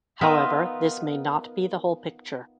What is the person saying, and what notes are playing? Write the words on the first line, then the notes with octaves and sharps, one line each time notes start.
However, this may not be the whole picture.
B3 D#4 F4 A#4 E5